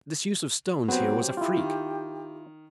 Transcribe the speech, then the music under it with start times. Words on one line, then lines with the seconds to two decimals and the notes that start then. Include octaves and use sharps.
This use of stones here was a freak.
0.88 F#3 B3 C4 G4
1.37 E4 F4
1.57 D#3